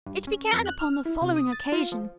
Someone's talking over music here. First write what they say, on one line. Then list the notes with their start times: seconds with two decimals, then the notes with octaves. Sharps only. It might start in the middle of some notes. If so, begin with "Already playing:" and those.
It began upon the following occasion.
0.06 G2
0.27 C#4
0.53 F2
0.66 F#6
0.79 F6
1.05 E4
1.22 C3
1.36 D#6
1.52 A6
1.72 F4
1.92 F3